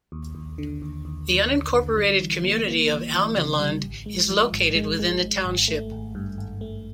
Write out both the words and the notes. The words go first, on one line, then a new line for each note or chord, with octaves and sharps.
The unincorporated community of Almelund is located within the township.
D#2
D#2
D3
D#2
D#2
D#2
D3
D3
G3
E3
A#3
A#3
E3
E3
C#3
G3
G#1
G#3
F3
G#1
G#3
G#3
G#3
G#1
A3
G#1
G2
G#1
A3